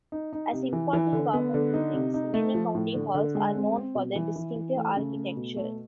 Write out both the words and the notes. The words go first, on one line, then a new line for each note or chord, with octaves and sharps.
As important government buildings, many county halls are known for their distinctive architecture.
D#4
D#4
C3
E3
E3
D3
B3
D3
D#4
C3
D#4
A3
F3
A2
D3
D3
G#3
C4
C4
B2
E3
E3
E3
A3
C#3
A3
B2
A3